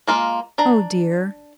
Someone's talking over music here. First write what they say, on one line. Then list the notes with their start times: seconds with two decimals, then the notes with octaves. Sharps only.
"Oh, dear!"
0.07 G#3 A#3 F4
0.58 D4 A#5